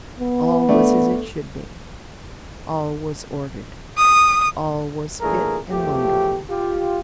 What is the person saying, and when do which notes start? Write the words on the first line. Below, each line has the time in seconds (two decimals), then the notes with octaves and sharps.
All was as it should be--all was ordered--all was fit and wonderful.
0.20 B3
0.69 A3 D4
3.97 D#6
5.21 A#2 E3 A3 D4 G#4 A#4
5.72 E2 F3 A3 G4
6.50 F4 G4